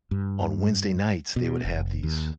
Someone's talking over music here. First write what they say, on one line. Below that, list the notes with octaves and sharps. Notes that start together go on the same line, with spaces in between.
On Wednesday nights, they would have these
G2
B2
F1
D#2